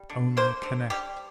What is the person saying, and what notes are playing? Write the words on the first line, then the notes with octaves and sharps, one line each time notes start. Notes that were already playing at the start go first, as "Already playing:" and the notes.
Only connect!
Already playing: G3
D3
A#3 C5
D3
G3 G4